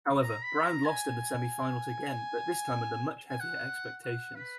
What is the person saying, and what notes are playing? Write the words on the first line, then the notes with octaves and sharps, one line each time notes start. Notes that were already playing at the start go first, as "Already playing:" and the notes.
However, Brown lost in the semi-finals again but this time under much heavier expectations.
A#5
B5
A#5
G#5
G#5
F#5
F#5
B4